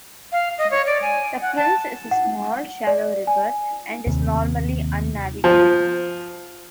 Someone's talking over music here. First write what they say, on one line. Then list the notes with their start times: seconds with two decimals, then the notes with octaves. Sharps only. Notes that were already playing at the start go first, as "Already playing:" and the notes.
The Price is a small, shallow river and is normally unnavigable.
0.32 F5
0.58 D#5
0.71 C#5
0.87 D5
1.02 G#5
1.42 F#5
1.56 A5
2.11 F#5
2.87 D5
3.27 G#5
4.07 D#2 C3
5.44 F3